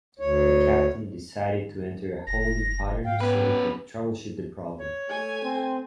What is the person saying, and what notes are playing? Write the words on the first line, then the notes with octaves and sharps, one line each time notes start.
The captain decided to enter a holding pattern so they could troubleshoot the problem.
D2 C#5
F#1 A#6
G#2 F5 G5
B3 C#4 B4
C#5
A3 G#5
C4